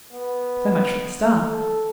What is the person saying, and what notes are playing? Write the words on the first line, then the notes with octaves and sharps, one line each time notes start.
So much for the "Star".
B3
A4